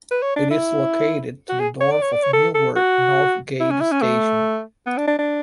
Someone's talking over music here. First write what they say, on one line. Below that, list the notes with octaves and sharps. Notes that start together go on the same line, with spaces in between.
It is located to the north of Newark North Gate station.
B4
C#5
D4
E4
F#4
G#4
C#5
D5
C#5
D5
C#5
A4
A4
F#4
E4
C#4
E4
C#4
A3
B3
D4
D4
D4